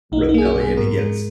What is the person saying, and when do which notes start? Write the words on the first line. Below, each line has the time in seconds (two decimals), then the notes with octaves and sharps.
rebellion against
0.12 B1 D#4
0.29 D#4
0.34 A#3 G#4
0.45 F#4
0.56 B2
0.61 G#4
0.77 G#2 A#4
0.99 G#3